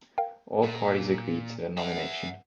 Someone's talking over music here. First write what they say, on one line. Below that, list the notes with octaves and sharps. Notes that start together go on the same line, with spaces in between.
All parties agreed to the nomination.
A#4 F5 G5
A#2
E5 F#5